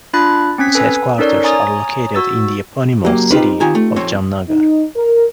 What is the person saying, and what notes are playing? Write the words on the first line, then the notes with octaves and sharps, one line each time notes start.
Its headquarters are located in the eponymous city of Jamnagar.
D4 F4 B5 F#6 A6
C4 C#4 G#6 B6
A4 B4 G#5
C#4 D#4 A4 A#4 C#5 D5
C#5 G#5 A#5 D#6 A6
F#4 E6 A6
F#3 A#3 G4
C4 D#4 F4 G4 B4
D#3 F4 G4 G#5 A#5
A3
F2 C4 C#5
D#4
A#4